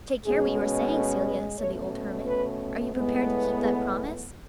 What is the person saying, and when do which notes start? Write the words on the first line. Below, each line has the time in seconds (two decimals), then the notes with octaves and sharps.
"Take care what you are saying, Celia," said the old hermit; "are you prepared to keep that promise?"
0.25 B2 G#3 C#4 G#4
0.93 A4
1.25 B4
1.59 B2 A3 C#4 C#5
2.26 B4
2.92 A2 G#3 B3
3.59 G#4